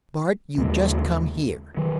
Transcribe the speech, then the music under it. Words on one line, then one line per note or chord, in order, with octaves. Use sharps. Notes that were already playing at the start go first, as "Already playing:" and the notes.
"Bart, you just come here!"
D#2 C#3 G#3
D#3 F#3